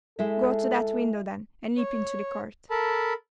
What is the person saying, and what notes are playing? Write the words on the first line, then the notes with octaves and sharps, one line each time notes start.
Go to that window, then, and leap into the court.'
G#3 E4 A4 E5
C#5
A4 A#4 A5 B5